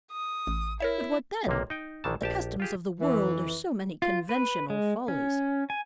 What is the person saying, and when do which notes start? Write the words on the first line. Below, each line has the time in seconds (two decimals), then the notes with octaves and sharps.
But what then? The customs of the world are so many conventional follies.
0.12 D#6
0.47 A1
0.80 E4 A#4 C#5 E5
1.47 B1 C3 A#3
1.70 D#4 G5
2.04 A#1 D#3 E3 A5
2.22 A#1 G4 A5
2.60 F4 G4 G#4
3.01 F2 E3
4.02 F4
4.29 B4
4.70 G#3
5.08 C#4
5.70 G#5